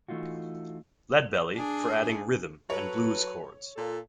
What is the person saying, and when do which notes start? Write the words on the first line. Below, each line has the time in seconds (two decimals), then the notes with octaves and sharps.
Lead Belly, for adding rhythm and blues chords.
0.08 E3 A3 D#4 F4 F#4
1.55 D4 G#4
2.70 F#3 A4 B4 C#5
3.76 A#2 F4 A4